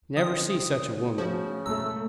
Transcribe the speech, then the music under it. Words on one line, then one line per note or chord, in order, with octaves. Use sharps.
I never see such a woman.
D3 E3 C4 D#6
C#3 F3 A3 F#4
G#2 B2 A3 A#5 E6